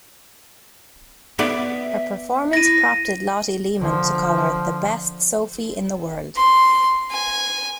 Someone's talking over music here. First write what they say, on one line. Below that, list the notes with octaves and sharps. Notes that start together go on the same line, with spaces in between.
Her performance prompted Lotte Lehmann to call her 'the best Sophie in the world'.
B3 D5 E5
E4 A#6 D#7
D3 F3
C6
G#5